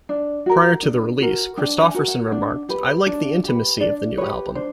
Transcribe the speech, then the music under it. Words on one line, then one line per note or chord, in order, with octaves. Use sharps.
Prior to the release, Kristofferson remarked: I like the intimacy of the new album.
D4
F#4 A#4
D4
F#4 A#4
D4 G5
G#5
F#4 A#4
F#5
D4
G4 B4
D4
G4 B4
D4 D5
G4 B4 C#5
D4 C5